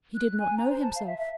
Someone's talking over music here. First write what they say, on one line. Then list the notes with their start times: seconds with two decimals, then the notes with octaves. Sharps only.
He did not know himself.
0.16 F#6
0.39 G#5
0.57 A#5
0.69 C5
0.82 A5
0.96 F5
1.07 E5
1.19 E5